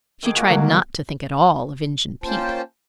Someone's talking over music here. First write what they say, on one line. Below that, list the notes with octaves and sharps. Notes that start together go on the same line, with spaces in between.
She tried not to think at all of Injun Pete.
D#3 G#4 D6
A#2 A#3 F#4
D3 G3 G#3
G2 B2 D#4
A#3 C#4 F4 C5 G5 A5